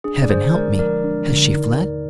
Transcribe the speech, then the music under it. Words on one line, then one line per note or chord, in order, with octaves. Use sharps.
Heaven help me! has she fled?
D4 G#4
D5
D3 G#4 C5
G#3 A#4 D5
F3 A#4 D5
D4
D3
D#4
D#2